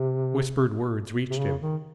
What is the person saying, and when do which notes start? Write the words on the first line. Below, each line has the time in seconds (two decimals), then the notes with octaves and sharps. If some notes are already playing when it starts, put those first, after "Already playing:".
Whispered words reached him.
Already playing: C3
1.30 C3
1.40 C#3
1.61 D#3